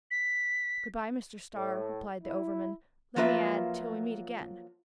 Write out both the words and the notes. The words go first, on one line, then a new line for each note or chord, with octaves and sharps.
"Good-by, Mr. Starr," replied the overman, "let me add, till we meet again!"
B6
A2
E4
F3 F#3 A#3 F4 B4 E5